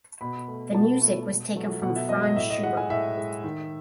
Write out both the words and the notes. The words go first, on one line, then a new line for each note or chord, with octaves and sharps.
The music was taken from Franz Schubert.
B2 B5
A3
B2 A5
A3
B2
F#3 A3
B2 F#5
E5
F#3 A3 D#5
D#5
A2 E5
D#5
G#3 F#5
G#5
A2 E5
G#3
D#3